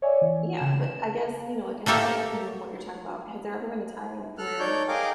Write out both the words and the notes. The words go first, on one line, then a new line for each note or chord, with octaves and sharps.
Yeah, but I guess, you know, like I said, you know, and what you're talking about, has there ever been a time where
C#5 D5 E5 G#5
E3
C#3 E7
A3 A#3 G4 A4 A#4
A4 F6 F#6
D#4 C#5 D5 G6
G#4 A#4 D#5 F5 G5 D6